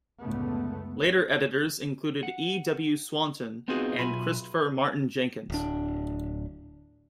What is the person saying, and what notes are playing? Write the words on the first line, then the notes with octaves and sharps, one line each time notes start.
Later editors included E. W. Swanton and Christopher Martin-Jenkins.
C#2 F#2 A2 D3 A3 B3
F#5
B3 C4 D#4 F4 F#4 G#4
B1 F4 E5 G#5 B5
D1 D4